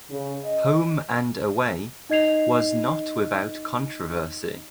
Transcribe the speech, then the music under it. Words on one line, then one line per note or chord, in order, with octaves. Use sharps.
"Home and Away" was not without controversy.
C#3
D#5
D#4 D#5 G#6 C7 F7